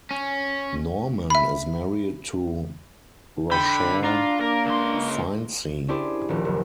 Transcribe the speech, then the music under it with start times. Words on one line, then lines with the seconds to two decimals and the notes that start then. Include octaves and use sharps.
Norman is married to Roshare Finecey.
0.11 C#4
1.30 E5 B5
3.52 D3 G5 B5
4.04 D4 F4 A#5
4.41 A#3 A#4
4.66 C#2 C6
5.88 C#4 D4 E4 G4 G#4 C5
6.29 D#1 A#1
6.45 F#1